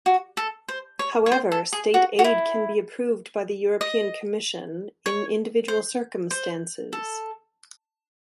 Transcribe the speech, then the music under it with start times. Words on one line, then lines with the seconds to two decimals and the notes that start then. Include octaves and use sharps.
However state aid can be approved by the European Commission in individual circumstances.
0.06 F#4
0.37 A4
0.68 C5
0.99 C#5
1.26 C#5
1.32 C5
1.52 A4
1.73 G#4
1.94 F#4
2.19 F#4
2.24 E4
3.81 D#5
5.06 C#5
5.68 C5
6.31 C5
6.93 A4